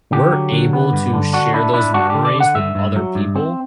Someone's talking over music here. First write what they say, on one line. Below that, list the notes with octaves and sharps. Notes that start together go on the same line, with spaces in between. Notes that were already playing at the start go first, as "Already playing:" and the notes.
we're able to share those memories with other people,
D3 G4
F#3
D3
B3
G2
D3
D4 F#4
D4 E4
D4 E4
D4 F#4
D3 G4
D5
D3
F#5
G2 E5
G2
F#3
G2
C4